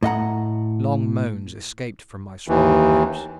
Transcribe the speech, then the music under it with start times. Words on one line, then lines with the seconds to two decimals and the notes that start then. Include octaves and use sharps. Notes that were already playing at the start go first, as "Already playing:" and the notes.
Long moans escaped from my swollen lips.
0.03 A2 D#5 F#5 A#5
2.48 D#2 E3